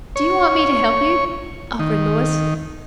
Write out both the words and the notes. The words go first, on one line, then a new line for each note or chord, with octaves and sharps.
"Do you want me to help you?" offered Louis.
C#5
D#3